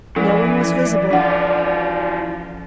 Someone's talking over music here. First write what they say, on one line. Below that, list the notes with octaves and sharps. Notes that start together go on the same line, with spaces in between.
No one was visible.
E3 F3 C#4 A4 D5
E3 D4 F4 F#5